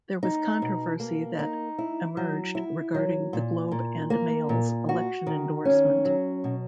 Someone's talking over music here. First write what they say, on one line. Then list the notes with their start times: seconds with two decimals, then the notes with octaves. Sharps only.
There was controversy that emerged regarding the Globe and Mail's election endorsement.
0.23 D#4
0.62 B2
1.00 A#3
1.39 D#4
1.78 E4
2.17 F#3
2.55 E4
2.95 F#3
3.33 A#2
3.71 A#2
4.10 A#3
4.49 A#2
4.89 F#4
5.27 D#3
5.65 C#4
6.05 F#3
6.44 B2